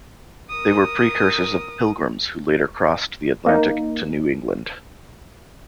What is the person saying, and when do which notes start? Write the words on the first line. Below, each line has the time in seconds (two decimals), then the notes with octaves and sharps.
They were precursors of the Pilgrims who later crossed the Atlantic to New England.
0.50 A#4 D#6
3.47 A#3 D#4